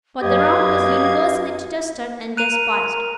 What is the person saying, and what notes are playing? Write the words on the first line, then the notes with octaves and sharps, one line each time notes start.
But the Rump was universally detested and despised.
F#2 G4 B4 D#5 F5 G#6
A#4 A#5 F#6 D#7 F7